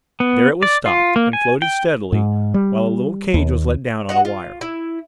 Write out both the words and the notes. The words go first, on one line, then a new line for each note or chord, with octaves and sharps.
There it was stopped, and floated steadily, while a little cage was let down on a wire.
B3
D5
F4
A#3
G#5
G5
G#2
G3
D#2
F#4 D#5 F#5
F4
E4